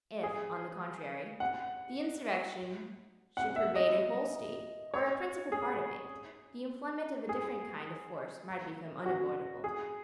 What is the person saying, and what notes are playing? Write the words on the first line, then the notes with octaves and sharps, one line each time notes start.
If, on the contrary, the insurrection should pervade a whole State, or a principal part of it, the employment of a different kind of force might become unavoidable.
G#4
F#5
F#5
E5
D#5
C#5
G#4
G#4
F#4
G#4